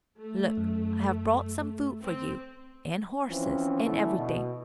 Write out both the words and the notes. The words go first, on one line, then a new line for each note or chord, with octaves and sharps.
Look, I have brought some food for you, and horses, and everything.
A3
F#2
C4
E3 F3 C4 C#4
D3 E3 A3 B3 E4
B2